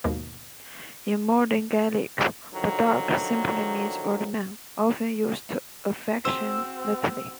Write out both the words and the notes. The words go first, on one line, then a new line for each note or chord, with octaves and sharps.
In modern Gaelic, "bodach" simply means "old man", often used affectionately.
D#2 G#2 B2 A#3
D3 D#3 F3 F#3
C4 F#4 G#4 C5 E6